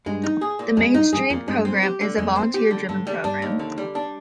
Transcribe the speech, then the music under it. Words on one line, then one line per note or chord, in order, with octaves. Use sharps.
The Main Street program is a volunteer driven program.
G2 G#3
D#4
G#4
A#2
F2 G#3
G2 D#4
G2 G#4
F2 A#2
G2 G#3
C4
G4
D3
F2 G#3
C4
G4
D3
G2 D3
G3
G2 D4
D#2
D3
G3
D4